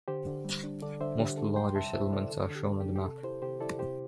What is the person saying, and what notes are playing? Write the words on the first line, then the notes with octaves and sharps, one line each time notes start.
Most of the larger settlements are shown on the map.
D3 G4 C5
D3
G3
D4
D3 A4 D5
D3 C5 E5
D3 G4
D3 A4
G3 G5 C6
C3 E5 A5
E4 C5 E5
C3 A4 D5
D3 A4
D3
G4
D4
G4
D4
G4
C3 A4
E4 G4 C5
C3 G4 C5
E4 A4 D5
C3 G4 C5